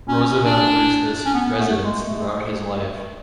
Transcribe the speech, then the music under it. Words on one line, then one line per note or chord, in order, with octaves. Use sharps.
Roosevelt used this residence throughout his life.
C#4
C#4
D4
C#4
B3
A3
G#3
A3